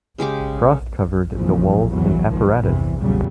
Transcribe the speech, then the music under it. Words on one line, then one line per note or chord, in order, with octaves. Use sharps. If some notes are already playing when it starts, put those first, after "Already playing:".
Frost covered the walls and apparatus.
C#3 G#3 G4 D6
F2 A#2 C#3 E3 F3
A1 E2 E3 F#3
G1 C#2 F#2 D#3 F3
E2 G2 C3 E3
E2 A#2 C#3 F#3 G3